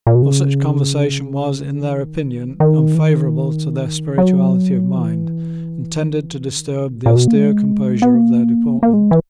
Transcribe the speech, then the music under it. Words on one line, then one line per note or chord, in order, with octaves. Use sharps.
For such conversation was, in their opinion, unfavourable to their spirituality of mind, and tended to disturb the austere composure of their deportment.
A#2
B2
C#3
D#3
E3
D#3
E3
D#3
F#3
E3
C#3
D#3
B2
A#2
B2
A#3
G#3
B3
A#3
A#3
G#3
E3